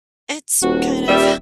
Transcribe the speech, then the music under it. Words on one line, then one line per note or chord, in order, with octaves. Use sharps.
It's kind of
D#1 F#4
D#1 G3 E5